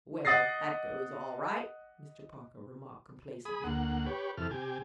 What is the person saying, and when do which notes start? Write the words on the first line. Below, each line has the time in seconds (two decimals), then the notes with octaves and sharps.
"Well, that goes all right!" Mr. Parker remarked complacently.
0.25 D#5 F#5 D#6 A6 A#6 C7
3.45 G#4 B5 D#6
3.64 D2 A#3 F#5
4.06 G4 B4 C#5
4.37 F2 C3 E3 A4 F6
4.51 C3 G4 G#5